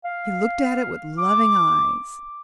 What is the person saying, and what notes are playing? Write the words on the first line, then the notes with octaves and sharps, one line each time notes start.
He looked at it with loving eyes.
F5
D6